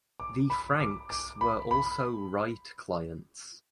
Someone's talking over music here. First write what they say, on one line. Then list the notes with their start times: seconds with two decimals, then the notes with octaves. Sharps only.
The Franks were also Wright clients.
0.20 D6
0.50 B5
0.80 D6
1.10 D6
1.41 B5
1.71 B5